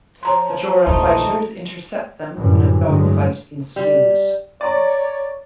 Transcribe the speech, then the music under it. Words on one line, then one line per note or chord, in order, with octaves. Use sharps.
Bajoran fighters intercept them and a dogfight ensues.
F3 C#5 A#5 C6
A#1 D#2 A3 D#4
F#2 A2 D3 E3 F#3 G3
G2 D3 E3 F#3 G#3 A3
G3
C#5 D5 A#5 C#6